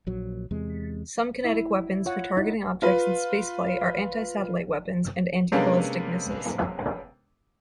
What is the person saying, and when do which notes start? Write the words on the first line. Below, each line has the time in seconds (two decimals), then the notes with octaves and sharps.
Some kinetic weapons for targeting objects in spaceflight are anti-satellite weapons and anti-ballistic missiles.
0.07 A#1 F#3
0.51 E2 C3 G#3
1.44 E4
2.05 F4 C#5 F#5
2.37 D#4 E4
2.82 F4 B4
5.52 C3 G#3 A#3 B3 C#4 D4